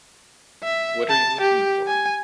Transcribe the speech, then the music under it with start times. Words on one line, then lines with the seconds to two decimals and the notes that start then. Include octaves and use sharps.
What are you looking for?
0.63 E5
1.09 A5
1.41 G4
1.87 G#5